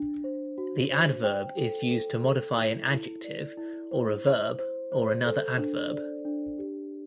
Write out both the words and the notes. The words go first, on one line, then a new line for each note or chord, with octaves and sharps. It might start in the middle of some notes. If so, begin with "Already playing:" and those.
The adverb is used to modify an adjective, or a verb, or another adverb.
Already playing: D4
C5
F#4
C5
G5
A4
A4
A4
E4
E4
D5
E4
C5
C5
C5
C5
A4
D4
D5
D4
G4